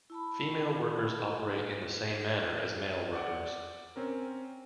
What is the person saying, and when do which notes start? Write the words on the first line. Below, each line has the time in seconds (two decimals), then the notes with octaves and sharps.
Female workers operate in the same manner as male workers.
0.10 E4 A5 B5
3.13 D5 F#5 D6
3.96 C4 C#4 A#4